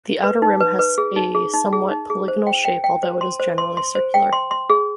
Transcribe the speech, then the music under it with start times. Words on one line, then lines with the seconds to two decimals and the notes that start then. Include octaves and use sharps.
The outer rim has a somewhat polygonal shape, although it is generally circular.
0.24 B4
0.42 D#4
0.60 B4
0.79 B4
0.98 G#4
1.16 D#4
1.35 G#4
1.53 D#4
1.73 G#4
1.91 D#4
2.10 G#4
2.28 C5
2.47 G5
2.65 G5
2.84 G5
3.03 C5
3.21 C6
3.40 C5
3.58 C6
3.77 C6
3.95 C5
4.14 G5
4.33 C6
4.51 C6
4.70 G#4